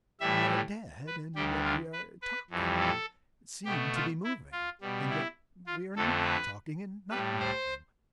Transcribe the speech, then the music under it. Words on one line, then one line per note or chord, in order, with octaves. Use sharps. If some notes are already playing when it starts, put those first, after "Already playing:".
We are dead and yet we are talking and seem to be moving--and yet we are not talking and not moving.
A2 E3 G3 E5
B4
D2 D3 G3 G4
F4
B4
B4
F2 E3 G3
A4
B2 A3 G4
F4
E4
F4
B2 G3
E4
F4
F2 D3 A3 A4
B4
A2 G3 B4
C5